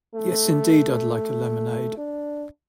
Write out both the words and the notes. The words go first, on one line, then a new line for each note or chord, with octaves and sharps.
Yes indeed, I'd like a lemonade.
A3
D4